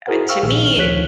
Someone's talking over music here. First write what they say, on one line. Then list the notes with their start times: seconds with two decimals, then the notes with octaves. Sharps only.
uh, to me,
0.07 E4 F#4 G#4 A#4 C5 F#5
0.29 F5 G5 C#6 E6 F6
0.43 A#1 A#2 D#3 G#4 F6
0.76 D2 D#3 F3 C#5 F#6 B6